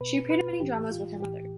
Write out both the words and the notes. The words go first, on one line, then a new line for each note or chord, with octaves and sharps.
She appeared in many dramas with her mother.
B2 B4
B4
F4
A2 E3 G4
F4
A2 E3 G4